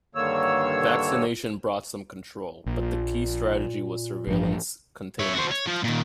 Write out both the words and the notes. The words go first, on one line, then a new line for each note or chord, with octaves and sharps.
Vaccination brought some control, but the key strategy was "surveillance-containment".
G2 D3 D#3 A#3 C#5 E6
A#1 A#2
A1 G2 F3
C#5 E5
F#4 C5
C#5
F3
A#2 D#3